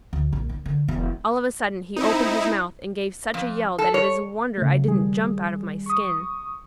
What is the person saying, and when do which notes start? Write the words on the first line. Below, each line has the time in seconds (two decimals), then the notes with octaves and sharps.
All of a sudden he opened his mouth and gave such a yell that it is a wonder I didn't jump out of my skin.
0.13 D2
0.33 A#1
0.49 D#3
0.66 D3
0.88 E1
1.96 C4 D#4 E4
3.34 F2
3.79 A4
3.94 C#5
4.58 C#3 A3
4.87 D#3 G3 G#4
5.86 C#6 D#6